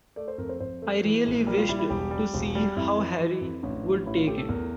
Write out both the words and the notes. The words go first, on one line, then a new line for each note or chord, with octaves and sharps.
I really wished to see how Harry would take it.
A3 D5
C5
F2 A#4
C5
F2 C5
A3
E3
A#1
G3 A#4
F4
G3 E4
E4
E1 G4
G3
E1
G3
F2 E4
E3
E3
F2
A1 D4
E3
A1 E4
F4
A3 G4
A4
E2 A#4